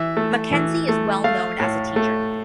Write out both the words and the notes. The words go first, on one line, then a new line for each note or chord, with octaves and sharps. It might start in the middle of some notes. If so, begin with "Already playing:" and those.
MacKenzie is well known as a teacher.
Already playing: E3 E5
A3
E3
A3
A3 F5
A2
A3